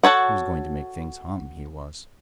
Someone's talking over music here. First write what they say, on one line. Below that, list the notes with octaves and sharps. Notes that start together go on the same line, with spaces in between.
He was going to make things hum, he was.
F#4 A4 C#5 F#5